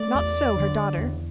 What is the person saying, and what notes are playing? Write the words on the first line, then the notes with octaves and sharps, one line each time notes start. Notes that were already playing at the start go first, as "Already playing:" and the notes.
Not so her daughter.
Already playing: A3 D5
E2
D3
E2